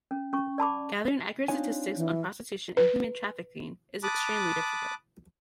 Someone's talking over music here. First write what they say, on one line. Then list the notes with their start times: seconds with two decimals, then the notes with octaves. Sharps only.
Gathering accurate statistics on prostitution and human trafficking is extremely difficult.
0.11 C#4
0.33 C#4 C#6
0.58 D5 A5 B5 D6
1.48 C4 D4 D#4 F4 C#5 G#5
1.97 E3
2.77 B4
4.03 A5 B5 D6 D#6 F#6